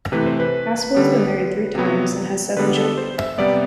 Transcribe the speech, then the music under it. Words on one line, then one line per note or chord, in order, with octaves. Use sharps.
Aspel has been married three times and has seven children.
C3 E3 A3 B4
C5
B4
D3 G3 B3
C3 F#3 B3
D3 G3 B3 B4
A4
C5
E5
C3 G3 B3 D5